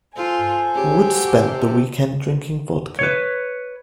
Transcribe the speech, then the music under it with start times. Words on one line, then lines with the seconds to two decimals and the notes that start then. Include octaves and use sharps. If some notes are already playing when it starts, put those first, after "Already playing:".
Wood spent the weekend drinking vodka.
0.17 F4 A4 C5 G#5
0.75 C#3 G4
1.09 F#4
1.47 C3
2.99 B4 C#5